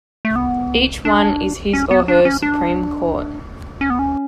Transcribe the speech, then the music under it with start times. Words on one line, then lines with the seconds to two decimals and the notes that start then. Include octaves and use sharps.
Each one is his or her supreme court.
0.25 A3
0.36 B3
1.05 D4
1.73 C#4
1.91 B3
2.08 D4
2.25 C#4
2.42 D4
3.81 C#4
3.90 B3
3.99 C#4